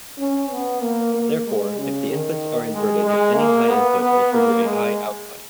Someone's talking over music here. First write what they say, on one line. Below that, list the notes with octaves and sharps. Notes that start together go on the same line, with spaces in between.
Therefore, if the inputs are inverted, any high input will trigger a high output.
C#4
B3
A#3
A#3
G#3
C#3
D#3
G#3
G#3
A#3
B3
B3
A#3
G#3